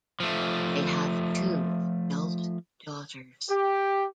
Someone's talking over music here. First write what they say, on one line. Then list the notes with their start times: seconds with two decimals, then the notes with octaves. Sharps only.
They have two adult daughters.
0.20 F3 A3
3.49 G4